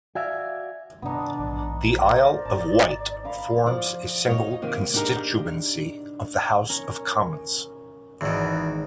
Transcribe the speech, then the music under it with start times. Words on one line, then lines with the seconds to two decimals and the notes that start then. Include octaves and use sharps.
The Isle of Wight forms a single constituency of the House of Commons.
0.15 F#4 D5 E5 F5 G#5
1.02 G2 C3 D#3 B3 D4 D#4
1.39 A#1 G#2 E3
2.01 A#4 C5 D5
2.45 G#1 D#4 A5
3.24 A#4 F5 B5
3.66 F3 D5
4.28 D#4 F4 C#5 D#5
4.62 C3 D#3 A#3
4.94 D4 D#4 G4 G#4 A#4
6.69 C#4 A#4
8.21 G#1 E2 B2